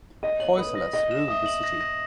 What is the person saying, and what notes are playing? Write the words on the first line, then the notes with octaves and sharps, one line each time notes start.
Hoysalas ruled the city.
D#5 D#7
C#5 F#7
B4 D#6
A#6
D#5 A#6
E7
E5 D#6
F#7
A#6
A#6